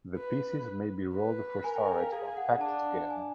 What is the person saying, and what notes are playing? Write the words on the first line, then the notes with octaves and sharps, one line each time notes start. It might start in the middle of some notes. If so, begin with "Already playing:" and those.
The pieces may be rolled for storage or packed together.
B4
B4
A#4 G#5
G5
G5
F5
G#4 F5
F#5
D4 A5
G#5